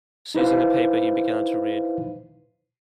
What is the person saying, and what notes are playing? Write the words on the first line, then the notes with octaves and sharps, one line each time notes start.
Seizing a paper, he began to read.
D#4 E4 B4 C5 F5